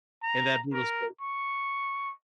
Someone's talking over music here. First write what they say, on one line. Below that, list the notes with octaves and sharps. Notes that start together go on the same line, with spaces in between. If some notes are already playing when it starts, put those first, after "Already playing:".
in that brutal sport
A#5
A#4
C#6